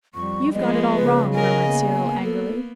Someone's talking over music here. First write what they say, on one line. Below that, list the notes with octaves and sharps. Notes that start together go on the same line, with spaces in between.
'You've got it all wrong,' murmured Cyril angrily.
F2 G3 C#6
F3 G#3 B3 D#5
C#3 B4
F#3 A#4 D#5 G#5
A#3 B3
A4